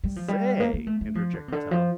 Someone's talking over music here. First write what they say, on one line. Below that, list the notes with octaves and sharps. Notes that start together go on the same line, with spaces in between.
"Say," interjected Tom.
G3
F3
G3
A#3
A#3
A3
A3
F3
D3
C3
D3
F3